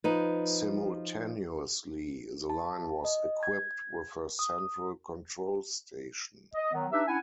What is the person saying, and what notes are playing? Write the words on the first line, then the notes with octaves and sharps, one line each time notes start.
Simultaneously, the line was equipped with a central control station.
F3 D#4 B4
A5
D#5
G#6
D#6
D#5
D#3 F#3 B3
D4 D#4 G4 B4 E5
C#4 D4 E4 F#5 G#5